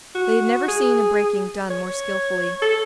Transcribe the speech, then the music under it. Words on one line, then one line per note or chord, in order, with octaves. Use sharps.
They had never seen a breaking done more skillfully.
F#4
G#4
C#5
A4